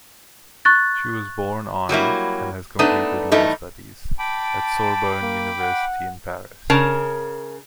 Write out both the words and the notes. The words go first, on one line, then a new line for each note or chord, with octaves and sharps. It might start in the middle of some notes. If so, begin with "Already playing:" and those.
She was born on, and has completed law studies at Sorbonne university in Paris.
C#6 F#6 A6
F#3 G3 A#3 E4
A3 B3 D4 D#4 B4
G2 E3 A3 D#4
G5 A5 B5 D6
A#3
F#5
C#3 A#4 A5